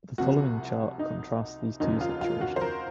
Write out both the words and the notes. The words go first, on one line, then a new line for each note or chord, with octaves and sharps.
The following chart contrasts these two situations.
C2 C3 F3 F#4
D#4
F1 D#2 C#3 F#3 D#4
F4
F4
F#4
C5
A#4